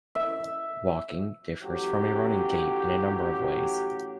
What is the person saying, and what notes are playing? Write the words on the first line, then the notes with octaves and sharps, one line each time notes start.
Walking differs from a running gait in a number of ways.
E5
A1 F#3 G4